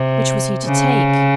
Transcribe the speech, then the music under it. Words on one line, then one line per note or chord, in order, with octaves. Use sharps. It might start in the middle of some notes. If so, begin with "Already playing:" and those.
Which was he to take?
Already playing: C3
C#3